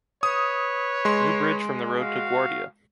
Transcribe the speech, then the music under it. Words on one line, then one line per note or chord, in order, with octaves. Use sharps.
New bridge from the road to Guàrdia.
B4 C#5 D#6
G#3 C6
F#4 F5